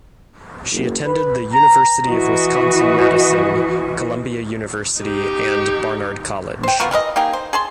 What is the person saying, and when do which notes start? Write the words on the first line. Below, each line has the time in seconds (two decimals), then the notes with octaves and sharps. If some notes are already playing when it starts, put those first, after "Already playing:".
She attended the University of Wisconsin-Madison, Columbia University and Barnard College.
0.70 F#1
1.05 B4
1.52 A#5
2.07 E3 F#4 D#5
5.00 D#4 G4
6.63 C5 G5
6.80 B3 F4 F#4 A#4
6.91 E3 A#4 B4 D#5
7.16 A#3 D#4 G4 G#4
7.33 C5
7.53 G#4 A5 C6